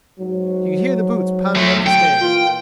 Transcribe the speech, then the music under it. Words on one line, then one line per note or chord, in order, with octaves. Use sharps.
He could hear the boots pounding up the stairs.
G#2 F#3
D3 A3
G5
A#2 E3 F4